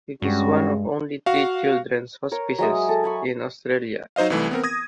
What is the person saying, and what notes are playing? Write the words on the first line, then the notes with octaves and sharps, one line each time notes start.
It is one of only three children’s hospices in Australia.
G2 G3 G#3 C#4 F#4
F#4 F5
A#4 C#5
F#3 G#3 E5 D#6
A4
G#5 B5 C#6
F#3 D#4 C5 D#5 F5
C2 E3 A3
B3 C4 A#4
D#6 G#6 A#6